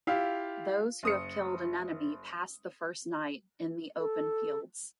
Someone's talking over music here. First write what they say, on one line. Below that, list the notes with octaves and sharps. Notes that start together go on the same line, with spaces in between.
Those who have killed an enemy pass the first night in the open fields.
E4 F4 G4 F5
F#1 D#6 C#7
A4